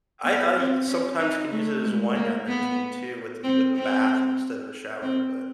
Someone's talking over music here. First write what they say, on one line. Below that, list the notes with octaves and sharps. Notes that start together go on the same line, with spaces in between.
I I sometimes can use it as a wind-down routine too with a with a bath instead of a shower, but
B3
C4
C#4
D#4
A3
G#3
A#3
B3
C4
C4
C4